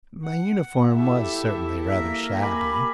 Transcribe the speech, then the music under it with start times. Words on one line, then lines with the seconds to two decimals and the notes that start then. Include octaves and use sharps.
My uniform was certainly rather shabby.
0.24 F#5
0.94 E4 G4 A4 E5
1.88 A#3 A#4 E5
2.41 G4 G#5 B5